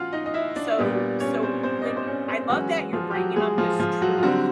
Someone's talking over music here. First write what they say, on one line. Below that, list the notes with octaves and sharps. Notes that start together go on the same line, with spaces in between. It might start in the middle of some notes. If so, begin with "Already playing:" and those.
so so w when I love that you're bringing up this truth
Already playing: C#3 E3 F4 F#4 F5 F#5
D#4 D#5
D#5
E4 E5
D4 D5
A#2 G3 B3
C#4 C#5
C4 C5
C4 C5
D#5
D4 D5
C5
C#4 C#5
C4 C5
E3 F#3 G#3 C#4 F#4
F3 F4
G4
F#3 F#4
G#3 G#4
F3 F4
F3 F4
F#3 F#4
F4
D3 F#3 G3 C4 F#4